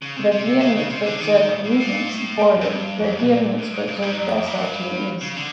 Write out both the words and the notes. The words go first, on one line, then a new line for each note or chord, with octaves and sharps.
Regierungsbezirk Liegnitz bordered Regierungsbezirk Breslau to the east.
C#3
C3
C3
C3
C#3
C#3
C3
D3
D#3
A2
A2
A#2
A2
A2
F2
F#2
G2
F2
B2
A#2
A2
G#2
G2
G#2
F#2
F2
G2
C#3
D3